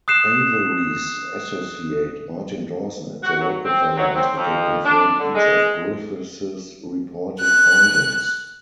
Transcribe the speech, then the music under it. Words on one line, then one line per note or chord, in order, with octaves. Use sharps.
Avery's associate Martin Dawson at The Rockefeller Hospital confirmed each of Griffith's reported findings.
D#6 F#6 C7 E7
F#4
F#3
C4
F#3
C4
F2
D4
D3
G#3
F#6